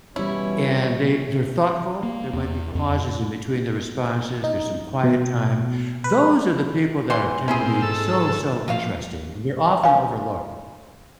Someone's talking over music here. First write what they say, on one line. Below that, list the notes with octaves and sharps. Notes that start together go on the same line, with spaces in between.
And they they're thoughtful, there might be pauses in-between their responses, there's some quiet time, those are the people that are tend to be so, so interesting, and they're often overlooked.
B2 E3 G3 B3 C#4 E4 C#5
A#3
E2
F2
D#4
B2
B4
E3 F#5 C6
A#2 C4 C#4 E4 G#4
G#2 A4 E6
F3 F4 F#4 F5
F5 G#5